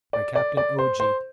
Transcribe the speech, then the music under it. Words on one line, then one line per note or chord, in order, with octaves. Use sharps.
By Captain O.G.
D5
D5
D5
C5
C5